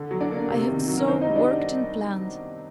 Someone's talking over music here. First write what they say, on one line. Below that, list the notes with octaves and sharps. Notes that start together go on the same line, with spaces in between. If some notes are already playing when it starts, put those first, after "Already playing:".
I have so worked and planned.
Already playing: D3
F#3
D4 D5
A#3
C3
D#3
F#3
A#4
D#3 C5
D#4 D#5
G3
D4 D5